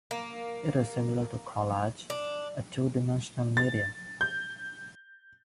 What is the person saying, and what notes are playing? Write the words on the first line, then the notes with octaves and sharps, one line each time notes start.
It is similar to collage, a two-dimensional medium.
A#3
D4
A6
G6